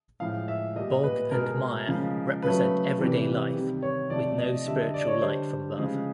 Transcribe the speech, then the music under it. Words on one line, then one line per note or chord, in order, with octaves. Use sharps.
Bog and mire represent everyday life with no spiritual light from above.
A2 F3 G#3 F5
E5
A#2 G3 D#5
B4
B2 G#3 A#4
C#3 F3 G#3
C#3 F#3 A3 B4
C3 E3 G3
C3 D#3 G3
C#5
C3 F3 A3 D5
D#5
D3 G3 E5
D#5
D5
C#5
D3 G3 C5
C#3 F3 G#3